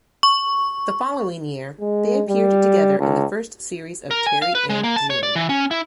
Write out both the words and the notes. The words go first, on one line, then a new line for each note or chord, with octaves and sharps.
The following year, they appeared together in the first series of "Terry and June".
C#6
G#3
G3
C#2
A#4
G#5
F5
B4
G#3
A#3
A5
C#5
D5
E3
C#4
E4